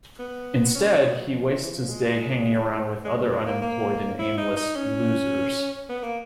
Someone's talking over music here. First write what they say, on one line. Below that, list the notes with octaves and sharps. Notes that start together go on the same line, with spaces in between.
Instead, he wastes his day hanging around with other unemployed and aimless "losers".
B3
C#4
C#4
B3
F#3
F3
E3
E3
F3
G#3
G#3
G3
G#3
A#3
A#3
E4
D#4
D#4
C#4
B3
A#3